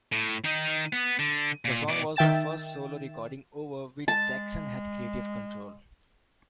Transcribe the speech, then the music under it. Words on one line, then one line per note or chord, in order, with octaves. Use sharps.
The song was the first solo recording over which Jackson had creative control.
A2
D#3 D#4
B3
D3
A#2
B2 D5
D#3 E5 G5 A6 E7
G#3 A5